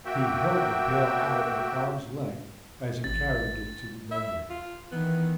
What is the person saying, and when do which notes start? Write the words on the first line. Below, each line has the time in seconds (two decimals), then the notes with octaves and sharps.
He held the pail out at arm's-length as he carried it to the dumb-waiter.
0.05 A#3 F#4 E5 G5
3.04 A1 A6
4.11 E5
4.50 F4
4.92 D#3 E3 B3